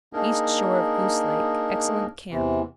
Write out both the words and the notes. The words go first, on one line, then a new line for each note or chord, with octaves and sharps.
East shore of Goose Lake.--Excellent camp.
A#3 D4 D#4 G#4 A#4
E2 C3 E3